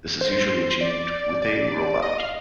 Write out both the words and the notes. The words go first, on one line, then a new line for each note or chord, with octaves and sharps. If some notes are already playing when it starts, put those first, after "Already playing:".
This is usually achieved with a robot.
C5
D5
D5
D#5
F5